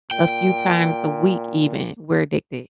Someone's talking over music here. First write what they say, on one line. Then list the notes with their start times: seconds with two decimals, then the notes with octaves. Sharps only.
a few times a week even, we're addicted
0.11 A#2 G5